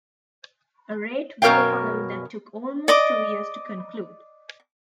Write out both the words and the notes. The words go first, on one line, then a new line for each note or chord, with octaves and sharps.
A rate war followed that took almost two years to conclude.
F#2 B2 A#4 C#5 F5 G5
D5 D#5 D6